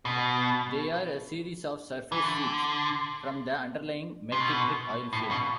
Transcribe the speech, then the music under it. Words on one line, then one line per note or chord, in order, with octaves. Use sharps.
They are a series of surface seeps from the underlying McKittrick Oil Field.
B2
E3
D3
C3
B2
A2
B2